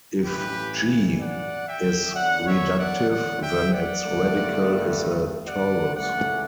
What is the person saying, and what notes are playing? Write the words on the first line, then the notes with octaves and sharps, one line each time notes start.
If "G" is reductive then its radical is a torus.
A1 G2 E3 G4 B4
D5 F#5
E5 G5
E2 D3 F#3 D5 F#5
C#5 E5
D5 F#5
D5 F#5
E5 G5
D5 F#5
G1 G2 D3 A3
D5 F#5
C#2 C#3 E3 A3 D5 F#5